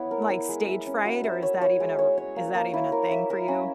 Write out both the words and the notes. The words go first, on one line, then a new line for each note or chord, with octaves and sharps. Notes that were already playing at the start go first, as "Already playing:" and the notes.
like, stage fright, or is that even a r is that even a thing for you?
Already playing: B3 E4 C#5
A#4
E4
G#3
E4
C#4
F#4
E5
C#5
C#5
G#3
C#5
C#5
A#3
A#3
E4
A#4
E5
A#4
C#4